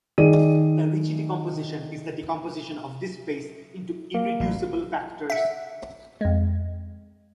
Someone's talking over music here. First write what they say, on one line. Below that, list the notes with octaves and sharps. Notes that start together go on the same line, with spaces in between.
The Ricci decomposition is the decomposition of this space into irreducible factors.
D#3 G#4 D5 D#7
A#3
A1
E5 F#5
F2 G#3